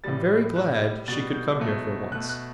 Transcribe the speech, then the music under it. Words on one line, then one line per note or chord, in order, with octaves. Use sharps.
I'm very glad she could come here for once.
A2 E3 G3 A6
A2 G3 F#6
B2 G3 A6
G6
B2 F#3 A3
B2 A3 F#6
F#6